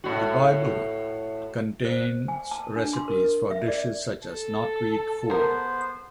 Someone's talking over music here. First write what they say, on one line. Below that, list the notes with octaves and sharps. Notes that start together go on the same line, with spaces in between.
The "Bible" contains recipes for dishes such as knotweed fool.
A2 F#4
C5
G#5
A5
D4
C6
A#4
E5
D5
A4
G#3 B3 A#4 C5